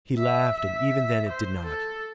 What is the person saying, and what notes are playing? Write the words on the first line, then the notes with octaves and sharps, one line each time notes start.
He laughed, and even then it did not.
E5
E5
C5
A4